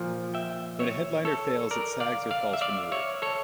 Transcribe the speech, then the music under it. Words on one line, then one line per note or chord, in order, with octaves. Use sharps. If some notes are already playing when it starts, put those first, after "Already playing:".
When a headliner fails, it sags or falls from the roof.
Already playing: A#2 F3
E5 G5
C#5 E5
A4 C#5
A#4 D5
D5 F5
D5 F5
E5
D5 F5
C#5 E5
A4 C#5